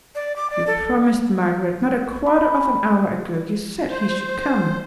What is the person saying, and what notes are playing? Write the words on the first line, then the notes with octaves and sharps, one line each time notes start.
'You promised, Margaret, not a quarter of an hour ago;--you said he should come.'
D5
D6
D5
A4
B5
C5